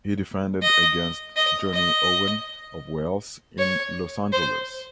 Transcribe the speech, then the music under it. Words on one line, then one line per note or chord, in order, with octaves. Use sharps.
He defended against Johnny Owen of Wales in Los Angeles.
D#5
D#5
D#5
C#5
C5